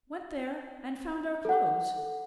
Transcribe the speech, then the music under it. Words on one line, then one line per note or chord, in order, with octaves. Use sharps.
Went there and found our clothes.
A4 F#5